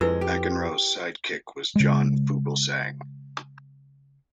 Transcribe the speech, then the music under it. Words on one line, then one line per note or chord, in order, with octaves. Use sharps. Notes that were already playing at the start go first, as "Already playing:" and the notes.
McEnroe's sidekick was John Fugelsang.
F2 G#3 E4 B4 E6
G4
C#3 G#3